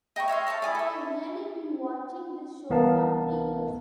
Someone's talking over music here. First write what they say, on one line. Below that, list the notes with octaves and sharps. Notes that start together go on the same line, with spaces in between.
Have I really been watching this show for three years?
D#5 G5 B5 C#6
C#5 E5 F5 C6
A4 C#5 F5 A5
D5 G#5 D#6
A4 E5
C2 E3 B3 A#4 F5 A5